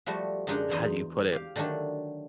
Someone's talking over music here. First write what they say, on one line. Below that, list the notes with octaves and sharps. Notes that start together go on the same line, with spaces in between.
how do you put it?
F3 G3 A3 F#4
F#2 D3 G#3 D4 D#4 A#4
E2 C5 D#5
G4 F5
D3 D#3 F#3 A3 D4